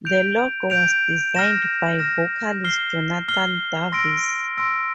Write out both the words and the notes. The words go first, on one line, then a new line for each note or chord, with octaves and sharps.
The logo was designed by vocalist Jonathan Davis.
G6 D7 F7
G6 D7 F7
F6 A#6 E7
F6 A#6 E7
F6 C7 G7
F6 C7 G7
C6 E6 A#6 D7
C6 E6 A#6 D7